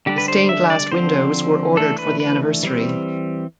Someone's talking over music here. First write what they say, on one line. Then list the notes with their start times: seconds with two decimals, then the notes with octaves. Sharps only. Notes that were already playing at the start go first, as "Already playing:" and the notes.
The stained glass windows were ordered for the anniversary.
0.06 D3 G3 D4 G4
0.18 B4
0.28 C5
0.49 E5
0.70 D5
0.92 D3 F3 C4 C5
1.77 E3 A3 D4 A4
1.99 B4
2.20 B4
2.63 E3 G3 C4